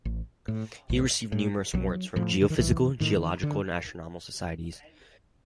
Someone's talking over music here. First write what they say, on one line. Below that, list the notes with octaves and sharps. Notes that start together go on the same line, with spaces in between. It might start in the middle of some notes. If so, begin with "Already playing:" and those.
He received numerous awards from geophysical, geological and astronomical societies.
A1
A2
A1
A2
B1 F#3
A2 F3
D3
D#3
B1 E3
A2 D#3
D3